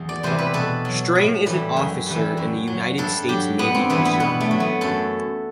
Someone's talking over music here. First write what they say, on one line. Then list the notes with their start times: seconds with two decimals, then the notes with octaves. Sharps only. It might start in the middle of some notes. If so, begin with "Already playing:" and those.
String is an officer in the United States Navy Reserve.
Already playing: E2
0.09 D5
0.23 C3 E3 G3 C5
0.38 B4
0.54 B2 A4
0.85 F#3
1.15 A2
1.46 E3 G3
1.77 F#2
2.06 E3 G3
2.37 F#2
2.67 F#3
2.98 G2 A4
3.28 F#3 G4
3.59 G2 B3
3.74 C4
3.90 E3 G3 B3
4.05 B3
4.20 B2 B3
4.40 A3
4.51 F#3
4.60 B3
4.81 F#2 A4